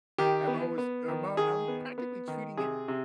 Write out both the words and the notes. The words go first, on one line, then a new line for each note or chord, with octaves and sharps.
I'm always I'm all I'm practically treating it
D#3 G4
B3
B3
D#3
D#3 G#4
B3
B3
D#3
C3 G#4
C3